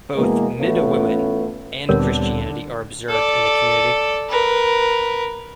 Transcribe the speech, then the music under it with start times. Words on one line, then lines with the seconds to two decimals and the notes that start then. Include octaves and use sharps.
Both Midewiwin and Christianity are observed in the community.
0.16 B2 E3 G#3 A#3
0.59 A1 A3 B3 C#4 F4
1.89 D2 A#2 D3 G3 B3 C4 A#4 C#5
3.08 A4 D5
4.29 A#4 B4